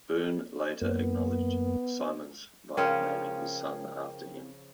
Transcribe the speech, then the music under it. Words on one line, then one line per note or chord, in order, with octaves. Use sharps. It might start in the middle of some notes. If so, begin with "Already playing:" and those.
Boon later acknowledged Simmons by naming his son after him.
F#2 A#3 B3
C#3 F3 C#4 A#4 G5